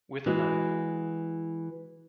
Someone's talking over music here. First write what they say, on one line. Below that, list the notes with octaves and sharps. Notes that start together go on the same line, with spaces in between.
With a knife.
E3 G#3 F#4